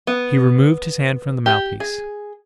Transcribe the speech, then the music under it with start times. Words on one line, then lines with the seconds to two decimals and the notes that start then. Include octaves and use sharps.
He removed his hand from the mouthpiece.
0.07 B3
1.46 G4
1.80 G#4